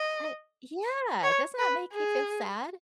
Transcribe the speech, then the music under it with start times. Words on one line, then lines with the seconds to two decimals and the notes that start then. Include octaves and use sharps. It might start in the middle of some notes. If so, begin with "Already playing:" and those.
I Yeah, doesn't that make you feel sad?
Already playing: D#5
1.23 C#5
1.59 B4
1.93 G#4